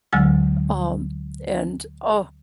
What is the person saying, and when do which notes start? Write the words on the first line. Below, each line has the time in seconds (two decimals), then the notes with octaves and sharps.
um, and, oh
0.13 D2 D3 F#3 G#3 G#5 E6